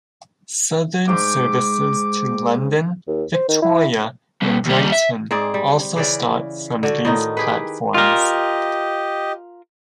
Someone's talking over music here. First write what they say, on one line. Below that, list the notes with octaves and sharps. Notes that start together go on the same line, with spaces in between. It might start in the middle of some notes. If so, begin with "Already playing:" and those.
Southern services to London Victoria and Brighton also start from these platforms.
G#2 G5 D6
D#2
C5
D#3
E4
B2 G3
D#2 G3
E5
G#2 C4 G#4 D5
G3
C#3 E3 D5
D3 F#4
A2 D#3 D#4
G4 G#4 B4
F4 G4 A#4 D#5